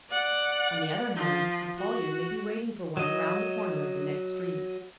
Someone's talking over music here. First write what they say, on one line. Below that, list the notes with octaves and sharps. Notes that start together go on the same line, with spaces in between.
On the other hand, Apollyon may be waiting for one round the corner of the next street.
D5 F#5
F3
F#4
F#3 D#5